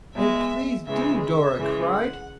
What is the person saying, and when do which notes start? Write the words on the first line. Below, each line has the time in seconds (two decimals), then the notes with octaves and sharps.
"Oh, please do," Dora cried.
0.14 B2 G#3 E5
0.86 C#3 E3 G#3 E5
1.22 E5
1.57 C#3 E3 G#3
1.93 F#5